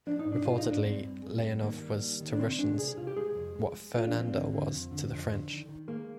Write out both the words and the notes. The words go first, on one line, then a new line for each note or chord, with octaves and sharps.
Reportedly, Leonov was to Russians what Fernandel was to the French.
F3 D4
D#4
G#2
D4
G#3 F4
D#4
G#2
D4
G2 C4
G2
G#3
G2
D#3 A#3
G3
D#3
D#3
D4
C3 C4
G#3 D4
C3 G#4
G#4
C3 F4
G4
G#3 G#4
F2
G#3
G#3
G#3 F4
D4
F3
C4
D3
D3
F2
D3
F2
D3
D#3
D#3
G#3 A#3